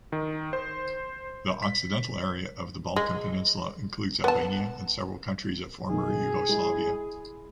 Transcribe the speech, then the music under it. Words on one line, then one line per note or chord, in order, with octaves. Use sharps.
The occidental area of the Balkan peninsula includes Albania and several countries of former Yugoslavia.
D#3
C5
B6
G#3
B3 A5
B1 D#3 G#4
G#3 E4